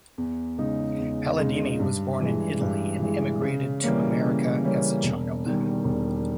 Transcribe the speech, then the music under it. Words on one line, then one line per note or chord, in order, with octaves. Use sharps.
Palladini was born in Italy and emigrated to America as a child.
E2
C#3 G#3 D#4
E2
C#3 G#3 D#4
G2
E3 G#3
G2
E3 G#3
C#3
E3 G3 A#3 C#4
C#3
E3 G3 A#3 C#4
E1
E2 D#3 G3
E1